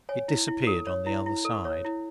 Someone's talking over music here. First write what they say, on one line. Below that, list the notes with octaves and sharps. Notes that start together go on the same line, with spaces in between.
It disappeared on the other side.
C#5 G#5
E4
E4
A4
C#5
E4
E4
A4
C#5
E4